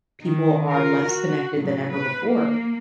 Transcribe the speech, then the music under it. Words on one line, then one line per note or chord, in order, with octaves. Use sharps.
people are less connected than ever before.
D#3
F4 A#4
F#4
A2 F#3
B4
A#3